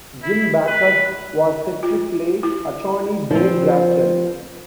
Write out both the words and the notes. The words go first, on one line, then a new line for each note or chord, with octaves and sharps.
Jim Backus was set to play attorney Dave Grafton.
E4
B4
F4
E4
F3 C4